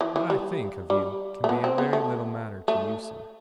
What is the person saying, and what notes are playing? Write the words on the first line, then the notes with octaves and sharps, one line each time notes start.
"What I think of you can be a very little matter to you, sir."
E3
E3
G3
G3
A3
B3
C4
B3
A3
A3